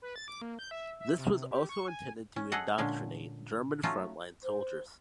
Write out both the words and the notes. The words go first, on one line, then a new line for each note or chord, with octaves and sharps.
This was also intended to indoctrinate German front line soldiers.
B4
A6
D6
A#3
G6
E5
E5
C3
G4
C#6
G#5
C#4
G#4 A4 D#5 F#5
A#2 D3 G#3 C#4
F#3 A3 C#4 D#4 F4
C5